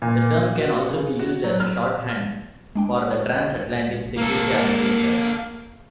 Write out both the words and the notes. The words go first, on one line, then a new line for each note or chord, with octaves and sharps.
The term can also be used as a shorthand for the transatlantic security architecture.
A#2
F#4
C#3
F#4
F#3
F6
G#3 D4 G5
D#5
A#3 A4